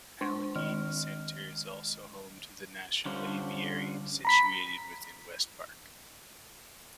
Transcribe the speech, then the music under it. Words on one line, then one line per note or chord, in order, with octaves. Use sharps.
Allegheny Center is also home to the National Aviary, situated within West Park.
G#3 D4 C5 C6 C#6
D#3 G#3 D#5 F6
D3 G3 C#4 D4 F4 C5
A#5 B5 B6